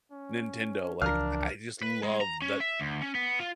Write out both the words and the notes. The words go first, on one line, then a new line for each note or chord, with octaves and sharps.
Nintendo, like, I I just love tha
C#4
C#2 E3 F3 D4 A#4 F5 F6
B4
G#3
A#5
C#4
E5
D2
C#4
B3
F4